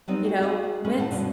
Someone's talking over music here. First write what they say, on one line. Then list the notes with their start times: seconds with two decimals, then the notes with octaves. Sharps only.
you know, when's
0.08 F#3 G3 B3 C4 D#4
0.25 F#4 G4
0.42 F#4 G#4 A#4 D#5 F5 G5
0.85 G#3 C#4 A#4 B4
0.99 D#2 A2 E4 F#5 A5
1.10 G2 B2 D3 C#4